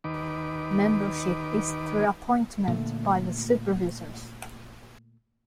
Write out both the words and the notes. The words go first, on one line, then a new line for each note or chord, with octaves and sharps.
Membership is through appointment by the Supervisors.
D#2 D#3 B4 D6
A#2 D3 A3